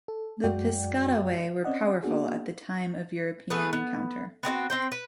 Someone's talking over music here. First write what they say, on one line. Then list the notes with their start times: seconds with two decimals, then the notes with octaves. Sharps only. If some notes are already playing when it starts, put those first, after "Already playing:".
The Piscataway were powerful at the time of European encounter.
0.08 A4
0.44 F#2 G#3 F#4 D5 G5
1.64 C4 C#4 D5 D#5 F#5
2.03 A#3 B3 D4 F#4 G#4
3.50 A3 B3 G#4 B4
3.73 B3
4.43 B3 C4 E4 F#4
4.70 C4 C5 G5
4.92 B4